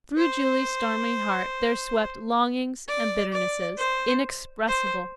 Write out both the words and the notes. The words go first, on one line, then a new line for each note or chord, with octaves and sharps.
Through Julie's stormy heart there swept longings and bitternesses inexpressible.
C5
D5
D5
C5
C5